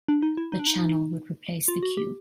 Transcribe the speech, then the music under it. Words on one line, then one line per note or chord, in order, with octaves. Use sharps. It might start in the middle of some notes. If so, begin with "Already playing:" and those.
The channel would replace the Cube.
D4
D#4
E4
D#4
D4
D#4
F4
F#4
G4